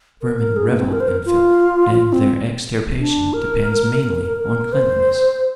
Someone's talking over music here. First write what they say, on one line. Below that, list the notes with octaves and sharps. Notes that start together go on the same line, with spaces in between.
Vermin revel in filth, and their extirpation depends mainly on cleanliness.
A#4
A#4
G#4
A#3
C4
A#4
C5
A#4
F4
F4
C4
D4
A#4
A#4
A#4
A#4
A#4
C5